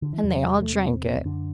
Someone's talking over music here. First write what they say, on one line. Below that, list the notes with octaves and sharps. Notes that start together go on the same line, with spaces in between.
And they all drank it.
D3
E3
E2 C3 F#3
F#3
G3
A3
C4
F#2 D3 D4